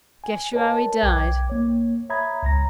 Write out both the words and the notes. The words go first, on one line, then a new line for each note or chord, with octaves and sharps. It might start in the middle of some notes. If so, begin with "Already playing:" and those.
Guess yo' how he died?'
G#5
A#4 B4 C#5 D#5 A5
B1 G5 D6 G#6
A#3 C#5
C#5 E5 A#5 B5 D#6 G#6
C#2 A#5 A#6